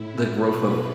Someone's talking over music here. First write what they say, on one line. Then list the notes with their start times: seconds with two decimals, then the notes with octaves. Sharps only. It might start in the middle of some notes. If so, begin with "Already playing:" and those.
the growth of
Already playing: A2 E4
0.23 B2 F#3 A3 B4